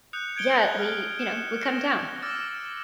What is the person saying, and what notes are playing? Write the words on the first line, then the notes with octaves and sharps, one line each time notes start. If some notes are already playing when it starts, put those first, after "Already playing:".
yeah, we you know, we cut 'em down.
D#6 F#6 G6 C#7 F7
G6 G#6 D7 G7
F6
C#7 E7
F6 A#6
D6 E6 F6 A6 E7